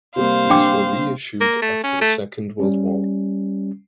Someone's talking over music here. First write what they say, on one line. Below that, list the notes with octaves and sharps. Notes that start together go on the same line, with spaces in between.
These were reissued after the Second World War.
C3 G3 A#3 C5 F5
D4 G5 D6
A#3
A3
C#4
A3
G3 C#4